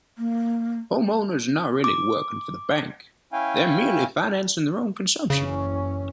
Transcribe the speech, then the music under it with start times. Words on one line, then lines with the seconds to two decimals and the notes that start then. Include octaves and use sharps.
Homeowners are not really "working for the bank"; they're merely financing their own consumption.
0.18 A#3
1.84 D6
3.33 C#4 E4 F5 G5 G#5
5.30 F#1 C#3 E3 C#4